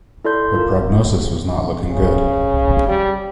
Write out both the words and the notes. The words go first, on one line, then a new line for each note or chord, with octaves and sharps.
Her prognosis was not looking good.
E4 A4 D5 C6 G6
F4 A#4
C#3
G3